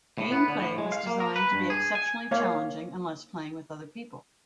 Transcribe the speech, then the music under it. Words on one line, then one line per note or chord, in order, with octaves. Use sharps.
Gameplay was designed to be exceptionally challenging unless playing with other people.
A2
B3
D3
A2
G#3
F5
A#3
A#4
B4
G2
G#4
G#5
A#3 C#5 F5